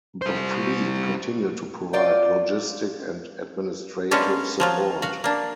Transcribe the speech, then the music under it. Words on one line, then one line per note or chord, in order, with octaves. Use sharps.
The fleet continued to provide logistic and administrative support.
G3 C5
F4 D5 G5
G#3 A#3 B3 C#4 D4
F3 F#3 F4
F#4 F5
A#3 D4